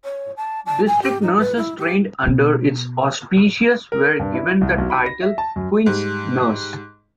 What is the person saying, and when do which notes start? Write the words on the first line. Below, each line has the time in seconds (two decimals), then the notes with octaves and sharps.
District nurses trained under its auspices were given the title Queen's Nurse.
0.04 C#5
0.37 A5
0.66 A5
0.87 G#5
1.02 G4
1.22 D#4
1.39 B4
1.57 E4
1.78 G4
2.26 B2 B3
3.92 A#4
4.20 G2
4.34 E4
4.61 C2
4.78 B1
4.90 B5
5.06 A#6
5.22 E5
5.38 A5
5.56 F#2
5.86 G#2 G3